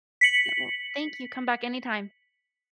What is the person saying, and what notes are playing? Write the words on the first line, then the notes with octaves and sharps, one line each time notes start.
Yep. Well, thank you. Come back anytime.
B6 C#7 F#7